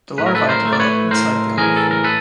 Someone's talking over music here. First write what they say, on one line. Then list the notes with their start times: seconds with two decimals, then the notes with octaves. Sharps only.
The larvae develop inside the almond fruit.
0.18 A2 B4
0.26 A#4
0.35 A4 B4
0.49 A#4 C5
0.65 A3
0.73 D5
0.80 B4 C#5
1.11 A2 A#4 C5
1.58 E3 G#4 A#4
1.77 A4
1.91 A#4
2.04 A4 B4